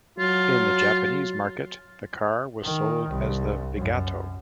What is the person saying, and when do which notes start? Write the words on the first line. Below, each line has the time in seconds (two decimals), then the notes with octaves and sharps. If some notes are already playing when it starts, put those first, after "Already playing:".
In the Japanese market, the car was sold as the Vigato.
0.18 F#3 F4
2.63 D#3
3.09 C2
3.76 F#2